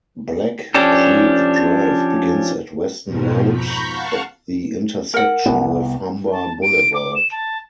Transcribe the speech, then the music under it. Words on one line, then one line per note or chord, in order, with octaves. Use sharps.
Black Creek Drive begins at Weston Road at the intersection with Humber Boulevard.
F3 C#4 D4 G4 A4
F2 G#2 B2 F3
A#5 B5 C#6 G6 B6
F5 F#5 A5 C#6
A#4 F#5
C2 B3
A5
D7
D6
E7
A5